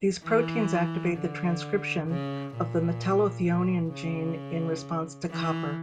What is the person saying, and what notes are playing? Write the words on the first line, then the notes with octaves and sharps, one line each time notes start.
These proteins activate the transcription of the metallothionein gene in response to copper.
E3
D3
C#3
A#2
A#2
C#3
E3